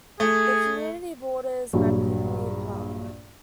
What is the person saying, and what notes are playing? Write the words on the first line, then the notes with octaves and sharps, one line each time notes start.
The community borders McKinley Park.
A3 G#4
A#1 G2 F#3